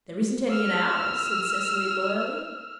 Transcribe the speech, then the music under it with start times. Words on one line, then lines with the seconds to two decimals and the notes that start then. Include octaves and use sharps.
"There isn't any in ours," said Cecily loyally.
0.49 E6 F6